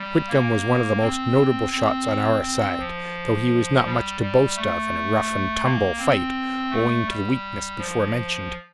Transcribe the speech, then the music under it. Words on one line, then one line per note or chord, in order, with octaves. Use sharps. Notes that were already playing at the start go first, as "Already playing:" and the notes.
Whitcomb was one of the most notable shots on our side, though he was not much to boast of in a rough-and-tumble fight, owing to the weakness before mentioned.
Already playing: G3
A#3
C4
C4
C4
F3
G3
G3
A3
A#3
C4
A3
G3
F3